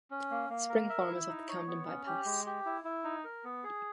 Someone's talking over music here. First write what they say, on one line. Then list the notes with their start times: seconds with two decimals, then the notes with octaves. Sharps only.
Spring Farm is off the Camden Bypass.
0.10 C#4
0.31 A#3
0.50 A#3
0.69 A#4
0.89 E5
1.08 E4
1.29 D#4
1.48 C#5
1.67 B3
1.87 C#4
2.07 G4
2.26 G#3
2.46 G4
2.66 E4
2.84 E4
3.04 D#4
3.24 A#4
3.44 B3
3.64 G#4